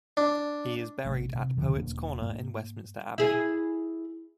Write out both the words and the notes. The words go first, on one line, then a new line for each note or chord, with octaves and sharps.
He is buried at Poets' Corner in Westminster Abbey.
D4
A1 C3 A3
C3
D#2 B2 D3 F3
E1 A#3 D4
G#2 A#3
E4 G#4